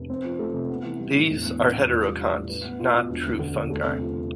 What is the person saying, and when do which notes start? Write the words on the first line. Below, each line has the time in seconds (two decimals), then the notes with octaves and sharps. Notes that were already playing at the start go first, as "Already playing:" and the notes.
These are heterokonts, not true fungi.
Already playing: F1
0.10 C4
0.24 F3
0.39 A3
0.54 C3
0.70 B3
0.85 E3
0.99 G3
1.15 A2
1.30 E1
1.45 E2
1.59 C3
1.75 E1
1.90 F4
2.04 G3
2.20 D4
2.35 A2
2.49 B4
2.65 B3
2.80 F4
2.94 B2
3.10 E1
3.24 D2
3.40 D3
3.55 E1
3.70 A3
3.85 C3
4.00 F3